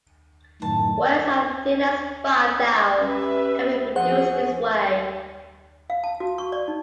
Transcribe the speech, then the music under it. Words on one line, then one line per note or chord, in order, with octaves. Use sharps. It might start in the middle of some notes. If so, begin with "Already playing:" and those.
Wires as thin as five thou can be produced this way.
F#2 A2 D#3 A5
C#4 G4 B4 E5
F3 F#4 G#4 C5 F#5
F5
A5
F#4
C#6
D5
D#4